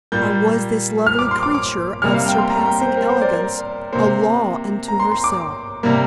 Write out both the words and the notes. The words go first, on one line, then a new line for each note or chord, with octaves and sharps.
Or was this lovely creature of surpassing elegance, a law unto herself?
A#2 G3 A#3 G6
F6
D6
C6
D6
D6
C3 G3 A#3 F6
F5
G5
C6
A#5
G5
C5
A#4
C5
D5
A#4
C3 A#3 C5
A#5
C6
C6
D6
C3 G3 A#3